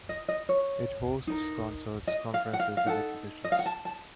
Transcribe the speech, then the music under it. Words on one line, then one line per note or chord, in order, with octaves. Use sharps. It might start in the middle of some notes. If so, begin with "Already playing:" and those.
It hosts concerts, conferences and exhibitions.
D#5
D#5
C#5
D#4 A#4
D#5
F5
F#5
F5
F5
D#4 A4 F#5
D#5
F5
F#5
A5
A5